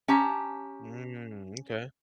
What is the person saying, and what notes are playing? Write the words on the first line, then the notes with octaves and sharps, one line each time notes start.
Mm, okay.
C#4 G4 A5 A#5